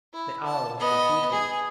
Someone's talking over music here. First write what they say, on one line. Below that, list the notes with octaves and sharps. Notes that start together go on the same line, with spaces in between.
The owls have hooted.
E4
A5
B3 D#5
G#4